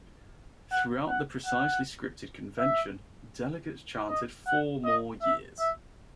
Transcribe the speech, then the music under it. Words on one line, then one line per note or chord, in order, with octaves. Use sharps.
Throughout the precisely scripted convention, delegates chanted Four more years!
F#5
F#5
F#5
E5
D#5
F#5
D#5
E5
E5